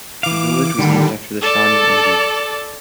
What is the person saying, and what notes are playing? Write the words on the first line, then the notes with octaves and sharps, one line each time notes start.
The village was named after the Shawnee Indians.
E3 F5 D6
D3 D#3 G3
A4 D5